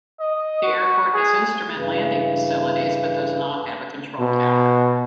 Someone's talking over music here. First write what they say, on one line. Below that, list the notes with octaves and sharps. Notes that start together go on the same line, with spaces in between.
The airport has instrument landing facilities, but does not have a control tower.
D#5
F#4
G#4
G2 C#3 E3
B2